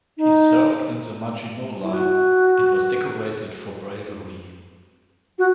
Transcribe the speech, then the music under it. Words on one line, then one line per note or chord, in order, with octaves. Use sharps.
He served in the Maginot Line and was decorated for bravery.
D#4
E4
F#4
F#4